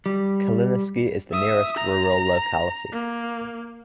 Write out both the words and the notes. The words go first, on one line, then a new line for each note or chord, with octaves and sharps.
Kalininsky is the nearest rural locality.
G3
E5 D#6
A#5
A#3